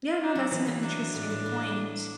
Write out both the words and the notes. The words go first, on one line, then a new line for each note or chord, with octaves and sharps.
Yeah, no, that's an interesting point.
D4
F#3
E3 B3
E3
F#3 D4
E3
A2
A2
A2